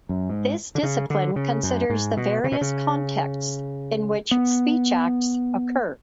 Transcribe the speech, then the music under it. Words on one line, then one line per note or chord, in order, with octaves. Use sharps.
This discipline considers the various contexts in which speech acts occur.
F#2
G#2
D3
C#3
D3
C#3
F#2
G#2
B2
C#3
B2
C#3
B3